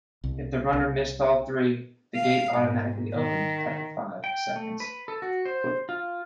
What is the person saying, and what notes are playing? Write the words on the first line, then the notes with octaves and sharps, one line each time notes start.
If the runner missed all three, the gate automatically opened after five seconds.
C2
C2
F5
G#2
D#3
G5
A3
B4
A4
F#4
C5
F4